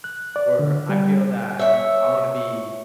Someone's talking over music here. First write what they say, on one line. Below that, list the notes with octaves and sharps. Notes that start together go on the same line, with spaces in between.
or I feel that I wanna be
F#6
D5
D3
G3
C#5 E5